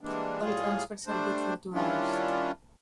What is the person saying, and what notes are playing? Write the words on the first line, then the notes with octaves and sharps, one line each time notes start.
All transfers are good for two hours.
E3 G3 G#3 A#3 D4
A2 G3 F4 G#4
G3 A3 D4 C5
D#3 G3 C#4 D4 E4 F4